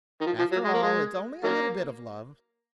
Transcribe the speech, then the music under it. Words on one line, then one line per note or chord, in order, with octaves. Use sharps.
After all, it's only a little bit of love.
D#3
F3
F3
F#3
G#3
A#3
G#3
D#3 F#3 A#3